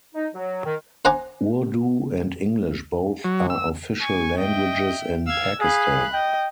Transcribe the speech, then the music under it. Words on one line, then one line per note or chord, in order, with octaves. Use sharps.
Urdu and English both are official languages in Pakistan.
D#4
F#3
D#3
C5 F#5 G#5 A#5 D6
F#3
E6
G#5 C#6
D#5 E5 G5
F5 E6 G#6
G#4 F5 B5 F#6
D#5 G5